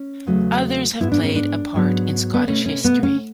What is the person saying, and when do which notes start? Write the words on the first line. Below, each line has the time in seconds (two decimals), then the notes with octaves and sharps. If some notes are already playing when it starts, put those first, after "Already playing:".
Others have played a part in Scottish history.
Already playing: C#4
0.27 E2 C#3 F#3 A3
1.00 G#2 G#3 B3 E4
1.12 D4
1.24 C#4
1.35 D4
1.74 G#2 F#3 B3
2.34 B3
2.47 B2 A3 C#4
2.66 C#4
2.84 B3
3.03 C#4